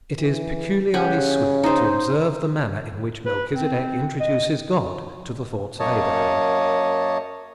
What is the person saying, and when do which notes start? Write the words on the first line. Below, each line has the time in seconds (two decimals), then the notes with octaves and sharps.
It is peculiarly sweet to observe the manner in which Melchizedek introduces God to the thoughts of Abraham.
0.16 E3
0.94 C#3 G4 F#5 G#5
1.64 D#4 C5
3.26 B4
3.55 C4
4.20 D#5
5.80 F#2 A#3 C#5 D#5 A5